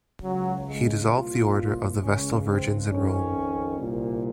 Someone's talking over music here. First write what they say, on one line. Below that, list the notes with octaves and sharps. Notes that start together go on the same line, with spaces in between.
He dissolved the order of the Vestal Virgins in Rome.
C#2 C#3 F#3
G#3
C2 A#2 F4
C#2 C#3 C#4
C4
F2 D#3 C#4
C2 A#2